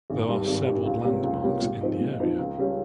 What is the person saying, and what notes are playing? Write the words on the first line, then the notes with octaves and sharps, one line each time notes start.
There are several landmarks in the area.
G#1
G2 G3
G#1
G3
G2
C#2
C3 G3 A#3 C#4
C#2
C3 G3 A#3 C#4
A#2
F3 C4 D#4
A#2
F3 C4 D#4
C#2
C#3 G3 C#4